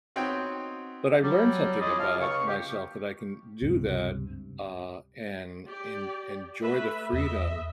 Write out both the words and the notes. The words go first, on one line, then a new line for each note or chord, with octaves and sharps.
but I learned something about myself that I can do that, uh, and en enjoy the freedom
B3 C4 D#4 F#4 C#5 G5
F#3 G3
C#4 E4 F4 G#4 D5 D#5
C#3 F5 A5 F6
C#2 C#3 F5 C#6
G4
C#2 G2 C3
G4 D5
A3 B4 E5
E2 D#5 E5